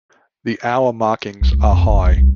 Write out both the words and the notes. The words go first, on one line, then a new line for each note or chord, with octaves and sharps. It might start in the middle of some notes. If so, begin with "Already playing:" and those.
The hour markings are high.
C2
C#2
F2
F#1
C2
C2